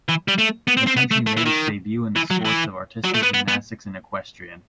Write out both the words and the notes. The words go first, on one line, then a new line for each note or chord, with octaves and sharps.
The country made its debut in the sports of artistic gymnastics and equestrian.
E3
G3
A3
B3
C4
C4
B3
A3
A3
E3
D#3
E3
F#3
E3
F#3
A3
B3
B3
B3